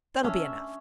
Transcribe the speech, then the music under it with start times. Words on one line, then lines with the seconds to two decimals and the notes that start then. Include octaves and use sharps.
"That'll be enough."
0.23 C#4 D4 E5